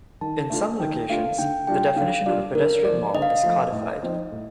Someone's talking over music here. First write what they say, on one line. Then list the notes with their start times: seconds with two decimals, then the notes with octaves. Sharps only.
In some locations, the definition of a pedestrian mall is codified.
0.21 D#3 A5
0.50 A3 D4 F4
0.80 D#3 G5
1.09 A3 D4 F4 F5
1.39 D3 G5
1.67 G3 D4 F4 G5
1.96 D3 F5
2.26 G3 D4 F4 D5
2.55 D3 A#4
2.85 F3 A3 D5
3.14 D3 D#5
3.22 F5
3.30 D#5
3.43 F3 A3
3.72 A2
4.03 F3 C4 D#4
4.32 A2